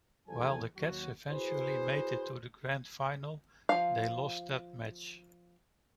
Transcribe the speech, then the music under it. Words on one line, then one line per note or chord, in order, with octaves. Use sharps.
While the Cats eventually made it to the grand final, they lost that match.
A1 E2 F3 G3 A4 G#5
D#2 F#3 F#4
E4 F#4 G#4 B4 C5
F3 F5